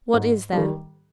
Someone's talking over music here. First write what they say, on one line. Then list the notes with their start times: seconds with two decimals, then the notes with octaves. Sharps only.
What is there?
0.14 G#2
0.53 D#3 G3